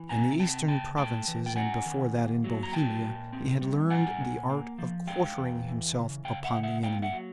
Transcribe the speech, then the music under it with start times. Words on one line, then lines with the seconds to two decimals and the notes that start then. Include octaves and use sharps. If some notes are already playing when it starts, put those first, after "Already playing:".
In the Eastern provinces, and before that in Bohemia, he had learned the art of quartering himself upon the enemy.
Already playing: E3
0.09 C3 G#5 A#5
0.39 C4 G5 A5
0.68 C#3 G5 A5
0.97 A3 G5 A5
1.28 E3
1.46 G5
1.56 C#4 F#5 G#5
1.86 D#3
2.15 A#3
2.44 F#3
2.63 A#5
2.73 A#2 G5 A5
3.02 A#2
3.33 C4
3.61 G3
3.90 A#2 F#5 G#5
4.20 A#2
4.50 A#3
4.78 F3
5.07 G#3 F5 G5
5.36 E2
5.67 E3
5.96 C#3
6.24 C#3 F5 G5
6.44 E5 F#5
6.54 C#3
6.63 E5 F#5
6.83 A#3 F5 G5
7.02 E5 F#5
7.12 F#3